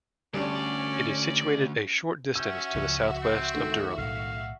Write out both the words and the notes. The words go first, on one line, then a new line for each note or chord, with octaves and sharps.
It is situated a short distance to the southwest of Durham.
D2 G3 C#4 D4 D5
C#4 F#4 E5 E6 G6
C#2 C#3 F3
C4
D#3 A3
B1 A2 F5